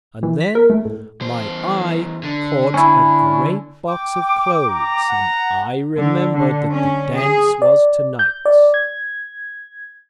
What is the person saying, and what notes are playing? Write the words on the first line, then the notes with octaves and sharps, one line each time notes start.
And then my eye caught a great box of clothes, and I remembered that the dance was to-night.
E3
B6
A#4
A3
A2
E2 C5
D3
C#4 E4
G5 D6
A#5
F#5
D3
D3
C#4
G#4
D5
G6
D5
G#6